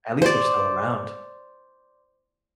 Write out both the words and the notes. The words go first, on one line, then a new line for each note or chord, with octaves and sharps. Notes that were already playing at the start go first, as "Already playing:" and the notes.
at least they're still around.
C5 D5